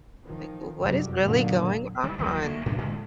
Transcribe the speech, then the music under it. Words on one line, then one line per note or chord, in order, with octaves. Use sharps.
Like, what is really going on?
D#3 F3
F#1 F2 C3 F#3 G3
A#2 D3 D#3 F#3 A#3
D#3 G3
F#1 D#2 F3 F#3
D2 A#3
A2 G3 G#3 D4
A2 D3 G#3